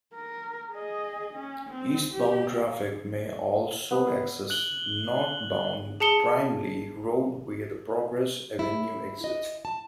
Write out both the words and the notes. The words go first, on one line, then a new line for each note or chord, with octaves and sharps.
Eastbound traffic may also access northbound Brimley Road via the Progress Avenue exit.
A#4
G#4 D#5
C#4
C4
G4
B3
F#6 F#7 G7
G#4 A5 C#7 G7
E4
D#5
A5